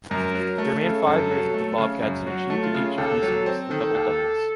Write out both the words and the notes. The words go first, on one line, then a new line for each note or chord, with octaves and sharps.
He remained five years with the Bobcats and achieved in each of these years the Double-Doubles.
F#2 A#4
F#3
A3
C#3 A4
F#2
F#3
A3
C#3
F#2
F#3 F#4
A3
F4
C#3
D#2 A4
F#3
C4
D#3 A4
D#2